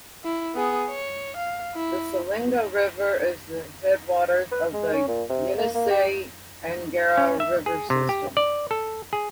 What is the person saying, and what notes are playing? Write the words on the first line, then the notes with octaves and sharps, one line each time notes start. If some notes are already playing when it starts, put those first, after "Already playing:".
The Selenga River is the headwaters of the Yenisei-Angara River system.
E4
B3 G#4
C#5
F5
E4
B4
G#3
C#4
A#2
C3
A#3
A#3
G4
C#4
E5
G#4
C3
G4
D5
A4
G#4